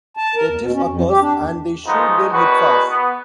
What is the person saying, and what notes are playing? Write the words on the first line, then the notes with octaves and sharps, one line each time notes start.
A tiff occurs, and they shoot their heads off.
A5
A#4
E2
B2
C#4
F2
G4
D4
E2
F3 G#3 A3 B3 D#4
E2 B2 D#3 F#4 B4
B3